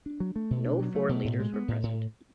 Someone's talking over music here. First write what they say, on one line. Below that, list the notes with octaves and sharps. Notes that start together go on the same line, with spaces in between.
No foreign leaders were present.
D4
F#3
A3
B2
D4
F#3
A3
B2
A2
G#3
B3
A2
A2